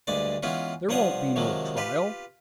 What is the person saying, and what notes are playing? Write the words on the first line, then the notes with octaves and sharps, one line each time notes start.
There won't be no trial.
D2 G2 G#3 D5
E3 G#3 B3 C#4 F4
G2 F3 C5 C#5 F#5 D#6
C3 D#3 F3 F#3 G#3
F4 G4 B4